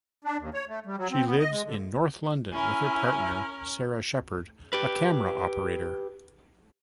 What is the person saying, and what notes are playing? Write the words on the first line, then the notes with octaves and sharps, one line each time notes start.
She lives in north London with her partner Sara Shepherd, a camera operator.
D4
D#2
C#5
A3
G3
F#3
C4
B3
D#5
G#3
D3
C#4 E4 A#4 G#5
G4 B4